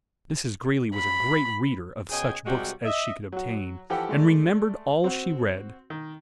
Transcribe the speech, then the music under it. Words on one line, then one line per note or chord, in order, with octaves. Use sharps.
Mrs. Greeley was a great reader of such books as she could obtain, and remembered all she read.
B5
B2 C#4 G#4 D#5 G5 G#5
C3 G3 G#3 F#4 G5
D#5 E5
F#3 F#4
E3 F3 G4 A4 F#5 G5
G#3 A3 D5
C4 F#4
D#3